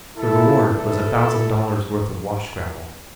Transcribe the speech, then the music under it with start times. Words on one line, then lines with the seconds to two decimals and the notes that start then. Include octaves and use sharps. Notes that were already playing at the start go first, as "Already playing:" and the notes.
The reward was a thousand dollars' worth of wash-gravel.
0.17 E4 A4
0.66 G2 E3 A3 D4 E4 A4